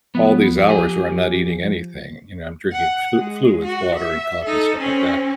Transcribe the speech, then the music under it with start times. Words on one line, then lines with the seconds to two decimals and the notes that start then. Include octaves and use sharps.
all these hours where I'm not eating anything. You know, I'm drinking fl fluids- water, and coffee, and stuff like that.
0.15 F3 B3
0.69 G4 G#5
2.72 F#5
3.16 G#3
3.64 F#4
3.97 E5
4.45 D#4 A4
4.80 C4 C#4